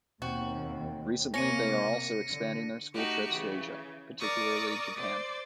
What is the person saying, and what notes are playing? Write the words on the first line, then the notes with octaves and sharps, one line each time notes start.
Recently they are also expanding their school trips to Asia, particularly Japan.
D#2 B2 C4 F#4 G5
C3 A#3 C#4 A#6 C#7 D#7
D3
A3 D#4 F#4 G4
C#3 E3
A#4 D5 C#6 D#6
C5 D5